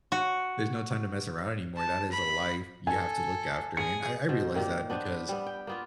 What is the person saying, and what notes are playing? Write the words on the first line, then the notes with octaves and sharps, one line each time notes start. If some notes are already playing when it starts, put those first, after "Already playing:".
there's no time to mess around anymore, that is a life you have to look after, and I I realize that because
F#4
A5
B5
A4 G#5
G#4 C#7
B2 C5
A#2 D#3 A#3 G4
B3 D4 B4 C5
G3 B3
G5
A#3 B3 F4